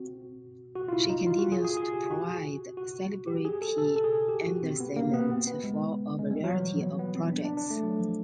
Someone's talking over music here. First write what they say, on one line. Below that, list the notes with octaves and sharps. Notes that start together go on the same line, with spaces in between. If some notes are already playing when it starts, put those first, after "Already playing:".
She continues to provide celebrity endorsement for a variety of projects.
Already playing: C4 F#4
F#4
F4
E4
D#4
F4
F#4
G#4
G#4
G#4
G4
F#4
F#4
G4
G#4
A4
A4
A4
G#4
G4
F#4
C4
B3
A#3
B3
C4
B3
G#3
G#3
G3
F#3
E3
F3
B3
B3
C4
D4
D4
D4
A3
F#3
F3